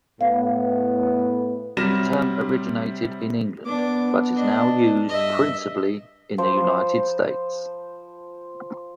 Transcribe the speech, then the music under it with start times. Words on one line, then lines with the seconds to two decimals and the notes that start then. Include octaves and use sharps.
The term originated in England, but is now used principally in the United States.
0.21 A2 B3 F5
1.77 C3 F#3 G3 F6 A#6 E7
3.66 B3 D4 D6
4.36 D4 D#5
5.09 G2 D#5 E5
6.38 F3 C5 B5